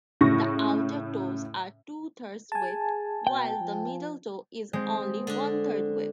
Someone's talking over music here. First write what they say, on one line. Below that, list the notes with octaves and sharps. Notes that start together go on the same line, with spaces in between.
The outer toes are two-thirds webbed, while the middle toe is only one-third webbed.
A2 C#3 C#6 A#6
G#4 G#5 A5
B2 G5
F3
G#3 C4
D3 D4